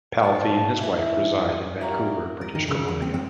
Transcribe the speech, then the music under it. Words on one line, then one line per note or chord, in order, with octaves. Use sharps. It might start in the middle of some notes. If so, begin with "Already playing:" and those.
Palffy and his wife reside in Vancouver, British Columbia.
F3 C#5 A5
E3 E4
E4 F#4 G4 A#4 D5 F5
A#4
D#3
C#3
E2
C4
C4